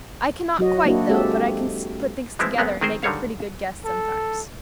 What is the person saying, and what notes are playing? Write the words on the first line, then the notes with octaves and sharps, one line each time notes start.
"I cannot quite, though; but I can put things together and make a pretty good guess, sometimes."
F#3 F#4 D#5
A#3 D4 E4 F#4
G#3 C4 G4 A4 E5
E3 F3 G#3 B3 C4 E4
F#2 G#3 B3 C4
D#3 C4 G#4 A#4 C5
D3 D#3 G3 G#3 C#5 F5
A4